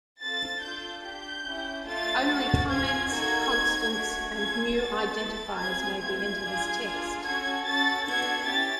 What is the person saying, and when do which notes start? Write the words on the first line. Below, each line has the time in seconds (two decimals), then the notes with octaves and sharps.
Only comments, constants, and new identifiers may be entered as text.
0.21 C4 F4 A4 A6
0.63 D4 F4 A4 G6
1.04 D4 G4 G6
1.45 C#4 E4 G4
1.87 A3 D4 F4 A4 A6
2.28 D4 F#4 A4
2.69 C4 F4 G#4 G#6
3.11 A#3 D#4 F#4 A4 G#6
3.52 C4 D#4 F#4
3.94 A3 D4 F#4
4.34 C#4 F4 A4 G#6
4.76 C#4 F#4 A4 A6
5.17 B3 E4 A4
5.58 C4 F4 G#4 G#6
5.99 A3 C4 F4 G#6
6.41 D4 F4 G#4
6.83 D4 F4 G#4
7.23 C#4 F#4 A4 G#6
7.65 C#4 F#4 A4 A6
8.06 B3 D4 F#4 A4 G#6
8.47 C#4 E4 G4 A6